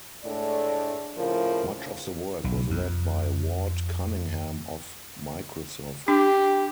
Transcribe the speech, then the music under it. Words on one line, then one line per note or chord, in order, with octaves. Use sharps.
Much of the work was led by Ward Cunningham, of Microsoft.
A2 G#3 A3 D4 A4 D5
A2 C#3 F3 E4 F4 A#4
B1
F2
D4 G4